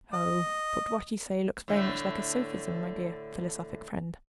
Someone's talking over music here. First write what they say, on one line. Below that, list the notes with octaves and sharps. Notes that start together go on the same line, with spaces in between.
"Oh! but what you say looks very much like a sophism, my dear philosophic friend."
D#5
A2 D3 A3